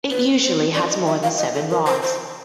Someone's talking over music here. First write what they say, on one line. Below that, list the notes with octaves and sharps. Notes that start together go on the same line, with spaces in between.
It usually has more than seven rods.
B4
C5
D5
D#5
E5
F5
D#5
A4
A#4
C5
C5